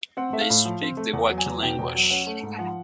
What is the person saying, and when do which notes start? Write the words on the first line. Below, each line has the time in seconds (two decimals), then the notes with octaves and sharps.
They speak the Wakhi language.
0.17 C4 F#5
0.33 A3 E5
0.41 F5
0.50 A2
0.65 F3
0.82 C4
0.97 A3
1.13 E2 F#5
1.30 F#3
1.38 G#5
1.46 E2
1.63 B2 G5
1.79 E2
1.95 F#3
2.10 C#4 F#5
2.27 A3
2.43 G#2
2.59 F3 F#5